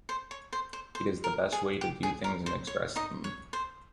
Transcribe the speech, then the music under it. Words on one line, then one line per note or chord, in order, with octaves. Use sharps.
It is the best way to do things and express them.
C5
C#5
C5
C5
C5
A#4
G#4
G4
G#4
A#4
C5
C#5
D#4 D#5
C#5
C5